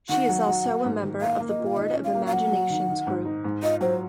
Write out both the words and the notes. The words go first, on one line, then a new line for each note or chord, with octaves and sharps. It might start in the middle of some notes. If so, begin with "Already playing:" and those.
She is also a member of the board of ImagineNations Group.
D#3 F#5
F#3
F#3
A#3
G#2
D#3
A#3 F5
A#3
D#5
A#2
F5
D#3 D#5
C#4
F5
A#3
F5
F#3 F#5
F#3
D#3
D#3
G#2
D#4
G#2
F4 D#5
F#3 C5